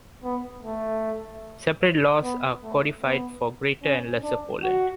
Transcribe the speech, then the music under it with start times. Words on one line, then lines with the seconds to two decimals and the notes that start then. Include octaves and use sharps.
Separate laws are codified for greater and lesser Poland.
0.23 B3
0.63 A3
2.23 B3
2.63 A3
3.02 B3
3.83 C#4
4.23 D4
4.63 F#4